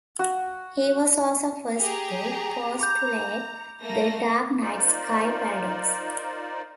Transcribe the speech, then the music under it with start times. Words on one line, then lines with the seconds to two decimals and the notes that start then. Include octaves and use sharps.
He was also first to postulate the "dark night sky paradox".
0.19 F#4
1.78 G4 G#4 A#5
2.79 A#5 B5 D6 G6
3.81 A3 A#3 A#6
4.61 D#4 F4 A#4 C5 D5